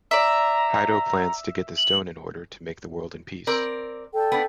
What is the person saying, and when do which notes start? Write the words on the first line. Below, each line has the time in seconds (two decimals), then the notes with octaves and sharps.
Haido plans to get the stone in order to make the world in peace.
0.11 D5 E5 A#5
1.77 F#7
3.47 C4 A#4 D5
4.13 A4 D5 G5
4.32 B3 D4